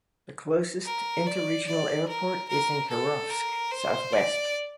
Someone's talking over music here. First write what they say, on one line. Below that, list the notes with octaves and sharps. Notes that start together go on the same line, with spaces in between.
The closest interregional airport is in Kirovsk, southwest.
A#4
D5
D5
A#4
A#4
A4
A#4
C5
D5